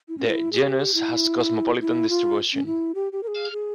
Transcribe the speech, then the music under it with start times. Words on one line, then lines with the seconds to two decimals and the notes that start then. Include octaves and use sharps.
The genus has cosmopolitan distribution.
0.08 E4
0.18 C#4
0.27 F4
0.31 E4
0.52 G#4
0.57 G4
0.94 E4
1.81 E4
2.09 F4
2.54 C#4
2.66 E4
2.95 G4
3.12 G4
3.23 A#4
3.28 G#4
3.52 G#4